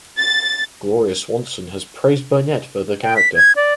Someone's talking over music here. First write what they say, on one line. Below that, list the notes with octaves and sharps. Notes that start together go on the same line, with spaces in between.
Gloria Swanson has praised Burnett for the character.
A6
G5
B6
G#6
D5